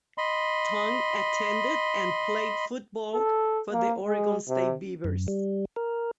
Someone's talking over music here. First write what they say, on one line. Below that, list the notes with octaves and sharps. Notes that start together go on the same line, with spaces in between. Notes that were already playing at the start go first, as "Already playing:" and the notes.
Tongue attended and played football for the Oregon State Beavers.
D#5 B5 C6
A4
A#3
G#3
C3
F#2
G3
A#4